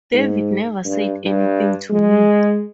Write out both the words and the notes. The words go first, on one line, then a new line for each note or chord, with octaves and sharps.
David never said anything to me.
G#2
G2
G2
G#3